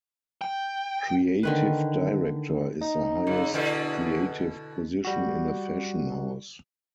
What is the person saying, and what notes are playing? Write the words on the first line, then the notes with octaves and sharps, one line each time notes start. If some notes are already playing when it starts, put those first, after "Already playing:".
Creative director is the highest creative position in a fashion house.
G5
D3 D#3 B4
D#4
C#3
E2 B2 D3 E4
G3 F#4